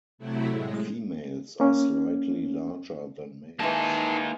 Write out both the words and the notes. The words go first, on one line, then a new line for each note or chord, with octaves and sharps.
Females are slightly larger than males.
C3 F#3 A3 E4
A2 G#3
A#3 C#4
D#3 E3 G#3 A#3 D#4 A5